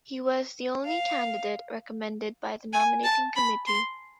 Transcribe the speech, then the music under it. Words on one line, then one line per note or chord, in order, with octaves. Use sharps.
He was the only candidate recommended by the nominating committee.
F5
G#5
A5
B5
C6